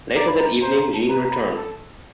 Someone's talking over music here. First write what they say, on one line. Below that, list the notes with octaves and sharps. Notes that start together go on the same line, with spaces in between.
Later that evening, Jean returns.
D5 A#5
B5
A#5
C5 A#5
A#5
A5
B4 A#5
A#5
B5
A4